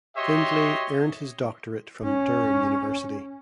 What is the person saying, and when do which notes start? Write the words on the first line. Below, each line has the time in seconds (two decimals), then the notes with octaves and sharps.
Findlay earned his doctorate from Durham University.
0.17 F#4 G4 C#5 D#5 E5 C6
2.05 C#4